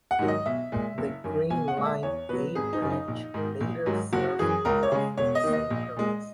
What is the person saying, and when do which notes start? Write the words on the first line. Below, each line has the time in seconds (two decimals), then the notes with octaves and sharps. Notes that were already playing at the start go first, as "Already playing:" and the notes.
The Green Line "A" Branch later served roughly the same purpose.
0.11 F#5
0.19 G#2 D#3 F#3
0.28 D#5
0.46 B1 E5
0.72 A#2 G#3
0.98 F#1
1.24 F#2 D#3
1.50 B1 G#5
1.68 F#5
1.77 A#2 G#3
1.86 E5
2.03 E2 C#5
2.29 B2 F#3 B4
2.55 G#1 G#4
2.73 D#4
2.82 F#2 C#3
2.90 D#4
3.08 A#1
3.34 G#2 D#3
3.60 A#1
3.86 G#2 D#3 F#3
4.13 F#1 F#4
4.39 F#2 E3 G#4
4.65 C#2 A#4
4.83 C#5
4.92 C#3 G#3
5.17 E1 C#5
5.35 D#5
5.44 D#2 D#3
5.53 D#5
5.70 A#1
5.96 A#2 G#3